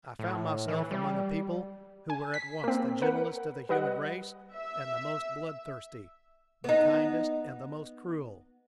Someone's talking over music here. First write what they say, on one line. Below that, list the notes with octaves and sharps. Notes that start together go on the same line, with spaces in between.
I found myself among a people who were at once the gentlest of the human race and the most blood-thirsty--the kindest and the most cruel.
A2
E3
G3
G#5
B6
A#3 C4
A#4 B4 F#5
G3 B4 D#5 F#5
E5
B3 D#4